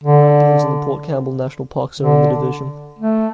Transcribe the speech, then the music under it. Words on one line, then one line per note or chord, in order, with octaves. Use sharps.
The Grampians and the Port Campbell National Parks are in the division.
D3
D3
A3